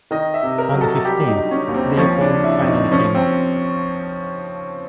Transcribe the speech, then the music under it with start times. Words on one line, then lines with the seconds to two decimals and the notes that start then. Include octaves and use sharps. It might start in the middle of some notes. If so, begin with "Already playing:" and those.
On the fifteenth, Leopold finally came up.
0.11 D#3 D#5
0.34 E5
0.43 C3
0.58 A#4
0.73 F#3
0.81 A4
1.05 G3 G4
1.28 D#4
1.35 D3
1.51 C#4
1.67 D#2
1.74 C4
1.97 F3 C#4
2.21 D4
2.29 C#3
2.44 E4
2.61 F2
2.68 D#4
2.92 F3 C#4
3.15 C4